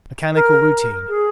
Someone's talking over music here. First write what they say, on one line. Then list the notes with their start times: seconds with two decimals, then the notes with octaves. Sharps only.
Mechanical routine.
0.35 A#4
1.09 G#4